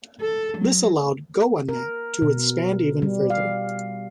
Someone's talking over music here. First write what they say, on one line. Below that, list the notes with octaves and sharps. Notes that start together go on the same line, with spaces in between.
This allowed Goanet to expand even further.
A4
F#3
A#4
B2
G3
F5